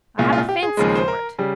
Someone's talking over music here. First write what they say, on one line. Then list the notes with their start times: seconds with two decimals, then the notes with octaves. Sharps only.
I have a fancy for it.
0.18 C2 A#2 G#3 F4
0.33 F4
0.49 G4
0.63 G#4
0.77 D#2 C#3 F3 G#3
0.95 C5
1.08 A#4
1.39 C#3 G3